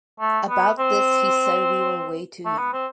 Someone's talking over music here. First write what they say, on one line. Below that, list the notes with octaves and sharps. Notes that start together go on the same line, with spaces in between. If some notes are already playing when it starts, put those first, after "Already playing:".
About this he has said "we were way too young".
A3
B3
C4
A3
B3
C4